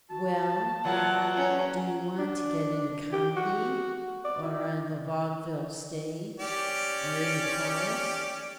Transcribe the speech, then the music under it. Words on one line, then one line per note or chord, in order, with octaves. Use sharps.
"Well, do you want to get in a comedy or on the vaudeville stage or in the chorus?"
F#4 A5
E2 F#3 A#3 F4 F#5
C#4 F#4
D4
G4
F#4
D5
E4
C#4 G4 D5